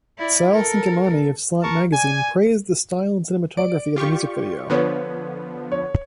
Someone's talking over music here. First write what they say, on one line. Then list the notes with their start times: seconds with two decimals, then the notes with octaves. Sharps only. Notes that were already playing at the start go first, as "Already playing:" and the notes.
Sal Cinquemani of "Slant Magazine" praised the style and cinematography of the music video.
0.18 E4 D5
0.52 A4 A#4
1.62 A#4 A5 C#6
1.92 D5 G#5
3.57 D5 D7
3.96 F4 G4 C#6
4.70 D3 F3 B3 B4 C#5
5.72 C#5